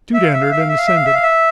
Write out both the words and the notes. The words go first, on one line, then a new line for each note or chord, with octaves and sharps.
Jude entered and ascended.
E5
F5
E5
F5
E5
F5
E5
F5
E5
F5
E5
F5
E5